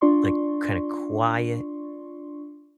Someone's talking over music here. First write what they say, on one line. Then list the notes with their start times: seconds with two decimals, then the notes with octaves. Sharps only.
like, kinda quiet.
0.01 D4 F4 D5 C6 C#6